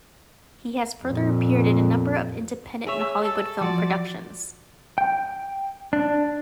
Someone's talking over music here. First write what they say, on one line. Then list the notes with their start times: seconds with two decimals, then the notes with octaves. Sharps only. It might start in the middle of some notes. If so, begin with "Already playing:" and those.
He has further appeared in a number of independent and Hollywood film productions.
1.03 F2 A#2
2.86 G#4 C#5 E5
3.21 A4
3.61 F3 F#4 D5
4.98 G5
5.93 D4